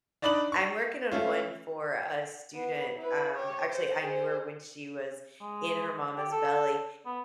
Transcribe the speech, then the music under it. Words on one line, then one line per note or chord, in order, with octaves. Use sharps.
I'm working on one for a student, um, actually I knew her when she was in her mama's belly,
D4 D#4 D5 B5 F#6 F#7
C#6
A3 C#4 F4
B3
E4 B4
G4 C#5
C5
G#4 C5
G#3
G4
A4
B3